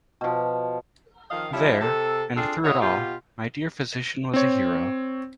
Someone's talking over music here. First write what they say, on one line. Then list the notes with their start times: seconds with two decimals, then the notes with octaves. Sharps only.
There, and through it all, my dear physician was a hero.
0.21 B2 F3
1.30 D#3 F3 D#5 F5
1.53 F3 G3 C#4 E4
1.81 C3 A4
2.36 C4 D4 F4 G#4 A4
2.64 E4 F#4 G#4 C#5 D#5 E5
2.82 B2 F4 G4
4.34 C4 C#5